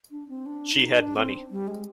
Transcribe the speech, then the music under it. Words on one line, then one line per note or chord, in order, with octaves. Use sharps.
She had money.
D4
C4
D4
D#4
D4
C4
G3
G#3